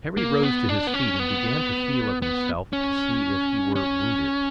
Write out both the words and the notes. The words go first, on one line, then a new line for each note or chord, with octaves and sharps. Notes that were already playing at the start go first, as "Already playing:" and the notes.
Harry rose to his feet and began to feel of himself to see if he were wounded.
A#3
B3
D4
B3
C#4
B3
B3
C#4
C#4